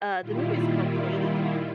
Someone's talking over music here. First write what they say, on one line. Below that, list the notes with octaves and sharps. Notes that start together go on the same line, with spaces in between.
uh, the movie's called Ladyhawke.
A#2 D#3 G3 E4 F4